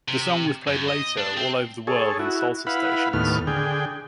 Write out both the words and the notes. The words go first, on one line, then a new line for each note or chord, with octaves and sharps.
The song was played later all over the world in salsa stations.
C3
F#2
D#5
D4
C4
G#4 A4 C#5
E4 F#4
E4 B4 F5 F#5 B5
D#2 A2 B3 F6
D3 G#4 G5